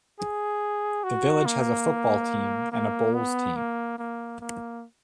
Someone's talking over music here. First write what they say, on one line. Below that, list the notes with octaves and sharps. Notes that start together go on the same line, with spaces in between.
The village has a football team and a bowls team.
G#4
F#4
A#3
A#3
B3
A#3
A#3
A#3